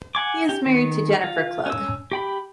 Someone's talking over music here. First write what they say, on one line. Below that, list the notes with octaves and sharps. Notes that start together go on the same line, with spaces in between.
He is married to Jennifer Klug.
F#5 G#5 D6
G4
D#3
F4
C#4 E6
G4 G5 B5